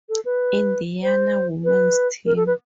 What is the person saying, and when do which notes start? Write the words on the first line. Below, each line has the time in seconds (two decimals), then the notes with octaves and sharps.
Indiana women's team.
0.09 A4
0.25 B4
1.03 C5
1.64 B4
2.26 A#4
2.36 A4
2.47 B4